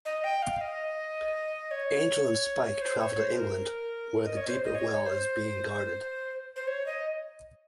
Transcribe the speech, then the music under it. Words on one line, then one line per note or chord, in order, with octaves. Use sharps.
Angel and Spike travel to England where the Deeper Well is being guarded.
D#5
G5
F5
D#5
C#5
C5
C#5
C5
A#4
D#5
C#5
C5
D#5
C#5
C#5
C5
C5
C#5
D#5